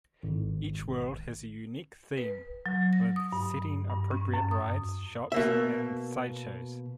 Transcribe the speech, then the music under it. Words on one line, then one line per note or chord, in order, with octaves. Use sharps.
Each world has a unique theme, with setting-appropriate rides, shops, and sideshows.
G#1
B4
F#3
A#6
D#6
G2
G2
C#4
F#2
D#6
B2 A#3 E5